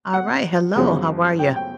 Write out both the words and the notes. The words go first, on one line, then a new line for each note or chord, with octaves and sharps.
All right, hello. How are you?
F#5
F#2 C#3 F3 G#3
G5
G5